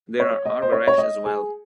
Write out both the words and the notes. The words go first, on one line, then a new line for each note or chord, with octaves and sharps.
There are Arbereshe as well.
C#5
D#5
C5
C#5
C#5
D#5
G#4